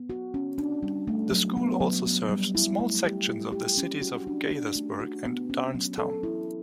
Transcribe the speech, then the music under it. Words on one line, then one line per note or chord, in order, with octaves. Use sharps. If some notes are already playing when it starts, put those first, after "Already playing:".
The school also serves small sections of the cities of Gaithersburg and Darnestown.
Already playing: B3
F#4
C#4
D4
G3
A3
F#3
B3
F#3
B3
G3
E4
A3
G4
E4
G4
C#4
F#4
D4
D4
A3
F#4
B3
C#4
F#3
A4
E4